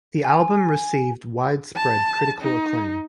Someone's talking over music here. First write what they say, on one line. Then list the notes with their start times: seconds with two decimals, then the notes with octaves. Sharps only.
The album received widespread critical acclaim.
0.24 G#5
1.76 A5
2.41 D#4